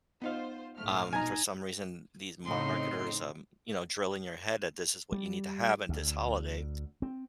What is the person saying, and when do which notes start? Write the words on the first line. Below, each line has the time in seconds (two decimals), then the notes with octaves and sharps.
Um, for some reason, these marketers, um, you know, drill in your head that this is what you need to have at this holiday,
0.22 B3 D#4 F4 C5 F5
0.77 A#1 G#2 A3 F6
1.13 B2 D#4 G#5 A#5
2.45 A2 C#3 C4 D#4 C6
5.12 G3
5.89 D2
7.02 C4